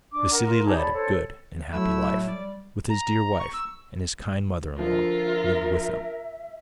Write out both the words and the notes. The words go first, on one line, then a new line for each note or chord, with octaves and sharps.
Vassili led a good and happy life with his dear wife, and his kind mother-in-law lived with them.
D4 D6
A#4 F#5 A#5
F4 A#4
D#4 G4 G#4 A5
C#5 D5 A5 B5
A4 C5 C#5
F#3 A3 E4 E6
A2 F#3
G3 D5
A#5
C#6
E6
D3 F3 F4 A#4 E5